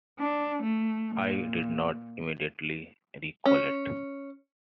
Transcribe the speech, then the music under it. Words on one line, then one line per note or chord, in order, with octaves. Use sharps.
I did not immediately recollect.
D4
A3
A#2
C#4